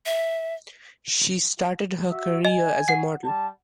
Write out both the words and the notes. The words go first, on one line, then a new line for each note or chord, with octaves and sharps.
She started her career as a model.
E5
F#4 E5
D#5 G#5
F#5 C7
G3 A5